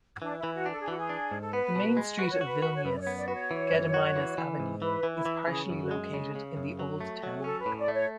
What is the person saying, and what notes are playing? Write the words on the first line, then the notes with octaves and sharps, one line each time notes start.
The main street of Vilnius, Gediminas Avenue, is partially located in the Old Town.
E3 D4
E3 E4
F#4
D4
A4
G#4
E3 F#4
G#4
D4
G#2
A4
B3 B4
B2
G#3
F#4 B4
C#5
F#4 B4
F#4
C#5
F#2 B4
D5
C#5
B3
D5
F#4 B4
C#5
E3
F#2
F#4
E3
E3
G#2
E3 B4
E3
E4
E3
C#3 G#4
F#2
F#4
G#3
C#3
C#3
F#2
F#3
A3
F#3
G#4
C#4 A4
B4
A2
D5
A3
C#5